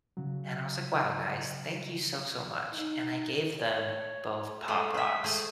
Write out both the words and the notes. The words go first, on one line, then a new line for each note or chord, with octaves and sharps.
And I was like, "Wow, guys. Thank you so, so much." And I gave them both Pop Rocks.
C#3 F#3
D#4
C#5
G#3 A3 F4
G#4 E5
G#3 A3 G#4 C5